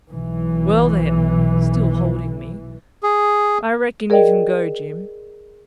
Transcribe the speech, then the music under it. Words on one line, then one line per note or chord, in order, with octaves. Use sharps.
Well, then"--still holding me--"I reckon you can go, Jim.
B1 E3
G#4
G#4 A#4 D5 D#5 G5